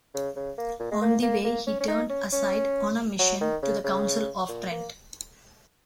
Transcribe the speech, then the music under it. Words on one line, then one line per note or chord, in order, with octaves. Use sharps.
On the way he turned aside on a mission to the Council of Trent.
C#3
C#3
A#3
A#2
G#3
A#3
A#3
A#3
C#4
C#4
D#4
C#4
C#4
F#3
D#3
C#3
C#3
A#2
A#3